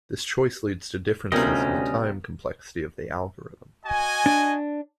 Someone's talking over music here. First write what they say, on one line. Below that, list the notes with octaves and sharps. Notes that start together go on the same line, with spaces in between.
This choice leads to differences in the time complexity of the algorithm.
D2 C3 G3 B3 C#4 F4 A#4 D#5
F#4 D#5 G#5
D4